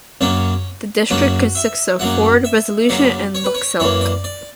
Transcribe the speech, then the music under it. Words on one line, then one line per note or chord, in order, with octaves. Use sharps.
The district consists of Fort Resolution and Lutselk'e.
F#2 C#3 F#3 A#3 C#4
F#2 C#3 F#3 A#3 F#4
E5
F#2 C#3 F#3 A#3 F#5
E5
F#2 C#3 F#3 A#3 D5
C#5
B4
C#5
F#2 E3 A#3 C#5
D5
D5